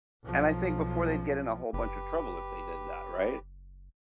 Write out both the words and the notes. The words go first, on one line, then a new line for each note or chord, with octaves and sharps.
And I think before they'd get in a whole bunch of trouble if they did that, right,
B1 F3
F#1 G4 B4